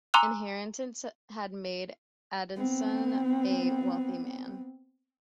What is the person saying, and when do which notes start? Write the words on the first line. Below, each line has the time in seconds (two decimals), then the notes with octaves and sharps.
Inheritances had made Adamson a wealthy man.
0.14 G#5 A#5 C6 D6 E6 F#6
2.56 B3 C4